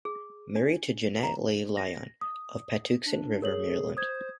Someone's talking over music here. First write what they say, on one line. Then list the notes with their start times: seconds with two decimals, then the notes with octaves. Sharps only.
Married to Janet Leigh Lyon of Patuxent River, Maryland.
0.05 G#4
0.56 D4
1.23 A#5
1.77 A#6
2.21 D#6
3.06 D4
3.42 G#4 A#4 C#5 F#7
3.97 C5 D#6 G#6